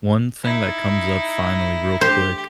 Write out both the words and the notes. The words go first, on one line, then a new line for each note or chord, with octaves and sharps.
one thing that comes up finally real quick
D#4 E4
G4 C5